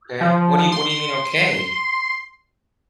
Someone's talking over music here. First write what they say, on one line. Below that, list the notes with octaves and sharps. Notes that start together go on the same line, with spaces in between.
Okay, what do you what do you mean, okay?
F3
C6